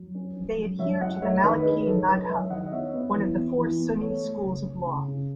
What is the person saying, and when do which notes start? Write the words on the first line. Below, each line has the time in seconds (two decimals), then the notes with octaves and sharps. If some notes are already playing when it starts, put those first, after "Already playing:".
They adhere to the Maliki madhhab, one of the four Sunni schools of law.
Already playing: F#3
0.15 C#4
0.37 C#4
0.58 F#3
0.79 F#3 C#5 E5
1.00 C#4 D#5 F#5
1.22 A3 C#5 E5
1.43 D#3 B4 D#5
1.65 D#3 G#4 B4
1.86 F#3 A4 C#5
2.01 C#5
2.07 C#4 B4 D#5
2.29 F#3 C#5 E5
2.50 D#3 D#5 F#5
2.66 D#5
2.72 B3 C#5 E5
2.94 B3
3.15 E3
3.36 B3
3.58 E3
3.79 B3
4.00 A3 A4 C#5
4.22 A3
4.44 C#3
4.65 C#4
4.86 C#3
5.08 C#3